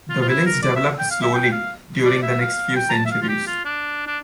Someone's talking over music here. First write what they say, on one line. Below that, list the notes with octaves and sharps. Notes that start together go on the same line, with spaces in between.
The village developed slowly during the next few centuries.
F4
F4
E4
A#4
D5
E5
G5
F5
E5
G5
F5
D5
E5
F5
G5
A#5
A5
E5
F5
F4
G4
F4
D4
D4